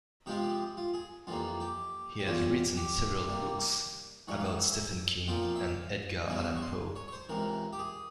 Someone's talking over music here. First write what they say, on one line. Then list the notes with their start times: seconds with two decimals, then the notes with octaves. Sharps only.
He has written several books about Stephen King and Edgar Allan Poe.
0.26 C3 F3 G#3 C4 F4 G4
0.77 F4
0.94 G#4
1.27 F2 E3 G3 A#3 F4
1.60 G4
2.19 G4
2.27 E2 E3 G3 C#4 F4
2.77 G4
3.27 C3 G3 A#3
4.28 G#2 E3 G3 C#5
4.40 F5
4.44 E5
4.62 E5
5.28 A#2 F3 C4 F4 G5
5.42 F5
5.56 E5
5.68 F5
6.28 E2 C#3 G3 C#4 E4 G#5
6.38 C6
6.45 A#5
6.56 C#6
6.62 C6
6.96 C#5
7.08 C#5
7.12 C5
7.29 C#2 C3 E3 A#4
7.73 G4
7.79 G#4